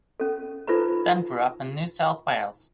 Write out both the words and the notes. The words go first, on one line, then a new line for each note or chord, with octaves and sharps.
Dunn grew up in New South Wales.
C#4 A4
D#4 F4 A4 B4 C5 A#5